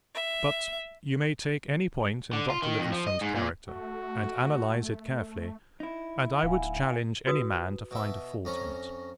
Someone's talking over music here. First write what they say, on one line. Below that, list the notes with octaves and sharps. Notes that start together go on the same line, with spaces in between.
But you may take any point in Dr. Livingstone's character, and analyse it carefully, and I would challenge any man to find a fault in it.
E5
D3
F4
D#3
F2
F3
D#5
G#2
A#2
A3 F#4
D#4 E4
D1 F5 F#5 G#5
F#4 B4 D#6
B2 E5
F2 C#4 A#5